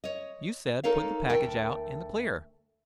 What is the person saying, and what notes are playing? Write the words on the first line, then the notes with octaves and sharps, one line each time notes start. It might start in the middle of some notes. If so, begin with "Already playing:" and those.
You said, put the package out in the clear.
C#5 D#5
D#4 A4 A#4 C#5 F5
D2 A3 A#4 G5